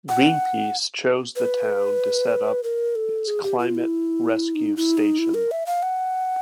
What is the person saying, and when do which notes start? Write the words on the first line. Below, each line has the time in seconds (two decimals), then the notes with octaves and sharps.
Greenpeace chose the town to set up its Climate Rescue Station.
0.09 F#5
1.36 B4
2.63 A#4
2.95 A4
3.27 G#4
3.43 G4
3.59 F4
3.75 E4
4.55 D#4
4.77 E4
4.98 D#4
5.19 E4
5.34 A#4
5.51 E5
5.66 F5
5.83 F#5